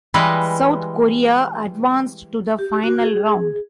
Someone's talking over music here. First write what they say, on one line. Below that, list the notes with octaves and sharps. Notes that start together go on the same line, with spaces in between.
"South Korea" advanced to the Final Round.
E3 G3 G#3 B4 D#5
G4
F#4
G#4